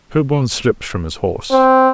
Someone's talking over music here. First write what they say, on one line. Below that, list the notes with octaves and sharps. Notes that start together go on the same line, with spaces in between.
Sherburne slipped from his horse.
C4